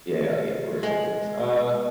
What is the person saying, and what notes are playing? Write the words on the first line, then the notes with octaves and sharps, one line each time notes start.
Yeah, yeah, yeah, of course, of course, uh
G#3